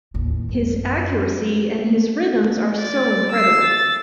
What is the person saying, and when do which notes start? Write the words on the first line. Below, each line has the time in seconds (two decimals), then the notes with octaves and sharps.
His accuracy and his rhythms are so incredible.
0.14 A1 D#2
0.49 F#2
2.77 D5
3.31 E6 C7
3.63 A6